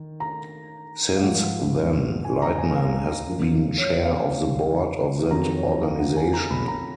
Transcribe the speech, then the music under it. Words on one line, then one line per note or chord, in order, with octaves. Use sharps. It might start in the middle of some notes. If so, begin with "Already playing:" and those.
Since then, Lightman has been chair of the board of that organization.
Already playing: D#3
A#5
F5
G#2 F3 F#5
G#5
A#5
G#5
F5
F#2 F3
C#5
F5
F2 D#3 F#3 A#5
C#5
F5
F#5
G#5
A#5
B5
A#5